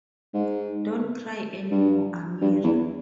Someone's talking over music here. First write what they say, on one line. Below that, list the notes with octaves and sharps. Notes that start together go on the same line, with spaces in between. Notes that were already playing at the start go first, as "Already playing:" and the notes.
Don’t cry any more, Amira.
G#2
G2
G2
E2